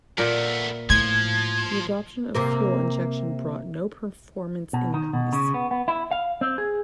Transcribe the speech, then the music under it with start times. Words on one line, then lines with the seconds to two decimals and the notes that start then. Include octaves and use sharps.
The adoption of fuel injection brought no performance increase.
0.18 A#2 A3 B3 A#4
0.90 A2 F3 G#6
2.35 C3 A#3 A#4
4.73 B2
4.94 D#3
5.13 B2
5.33 C#3
5.54 B3
5.71 B3
5.88 E4
6.11 F5
6.41 C4
6.58 G#4